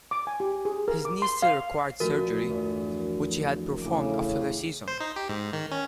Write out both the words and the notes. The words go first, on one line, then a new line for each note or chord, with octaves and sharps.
His knee still required surgery, which he had performed after the season.
D6
G#5
G4
G#4
A#4
D6
C6
F5
D#1 F3 A3 F#4 A#4
G1 E2 F3
A2 C#3 D6
C5
D#4
G4
G#2
D#3
C#4